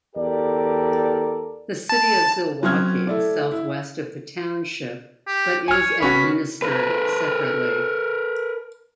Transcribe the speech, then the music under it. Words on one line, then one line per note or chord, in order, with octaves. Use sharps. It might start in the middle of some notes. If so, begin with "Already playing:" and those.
The city of Zilwaukee is southwest of the township, but is administered separately.
E2 G4 A4 A#4 D5
A5
F#3 C4 C#4 F6 G#6
A3 E4 D5
E4
G4
C#5 G#5 F6
B3 C#4 F#4 B5
A#4 B4